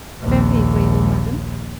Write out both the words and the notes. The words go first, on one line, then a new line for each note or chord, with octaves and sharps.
"Very agreeable, madam."
A#1 D#2